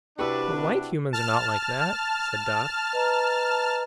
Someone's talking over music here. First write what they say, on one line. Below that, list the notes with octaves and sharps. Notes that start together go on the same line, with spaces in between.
"But white Humans are not like that," said Dot.
C3 D4 E4 F#4 G4 B4
A5 F6
B4 D#5 A#5